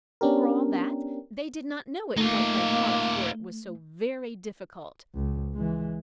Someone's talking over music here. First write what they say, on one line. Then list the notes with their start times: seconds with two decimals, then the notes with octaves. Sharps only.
For all that, they did not know it quite by heart, for it was so very difficult.
0.21 B3 C#4 D4 G4 A#4
2.17 A3 A#3 D#4 F4
5.14 C#2
5.54 E3 G#3